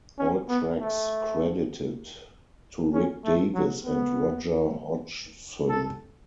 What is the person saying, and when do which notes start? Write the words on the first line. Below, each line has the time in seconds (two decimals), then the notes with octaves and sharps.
All tracks credited to Rick Davies and Roger Hodgson.
0.19 C#4
0.49 B3
0.80 A3
2.93 C#4
3.25 A3
3.54 F#3
3.85 B3
5.68 A4